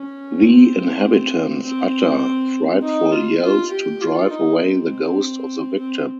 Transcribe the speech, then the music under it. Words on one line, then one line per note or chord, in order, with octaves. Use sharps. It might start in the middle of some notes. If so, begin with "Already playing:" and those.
The inhabitants utter frightful yells to drive away the ghost of the victim.
Already playing: C#4
C4
C4
D#4
F4
F4
G4
F4
D#4
C4
C4